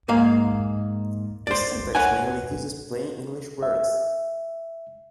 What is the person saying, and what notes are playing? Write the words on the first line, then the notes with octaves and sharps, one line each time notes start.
The syntax mainly uses plain English words.
G#2 A#3 F5
C5 D5
B4 C#5 F#5 G#5
E5